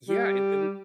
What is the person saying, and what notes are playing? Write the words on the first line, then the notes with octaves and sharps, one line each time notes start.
Yeah. It it was
G3